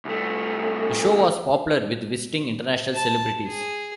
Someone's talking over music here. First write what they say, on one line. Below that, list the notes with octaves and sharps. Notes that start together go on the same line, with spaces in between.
The show was popular with visiting international celebrities.
C2 A3
A5
G#4